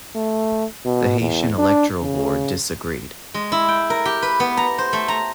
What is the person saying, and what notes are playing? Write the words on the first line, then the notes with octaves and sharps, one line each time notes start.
The Haitian Electoral Board disagreed.
A3
B2
E2
D4
C#3
G#3
E4
G5
A#4
G4
B4
B3
A#5
C5
A3
A#5